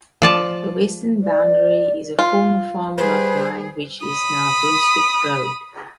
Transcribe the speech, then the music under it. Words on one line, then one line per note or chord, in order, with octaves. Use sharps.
The western boundary is a former farm-lot line which is now Brunswick Road.
F3 D5 A5
D5
F4
G3 G#4 B4 C5
B5 D#6